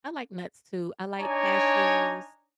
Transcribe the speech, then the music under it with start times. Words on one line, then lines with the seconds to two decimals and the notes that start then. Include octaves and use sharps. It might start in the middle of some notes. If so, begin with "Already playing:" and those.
I like nuts, too. I like cashews
1.20 D4 D#4 C#5 D5 G#5 A#5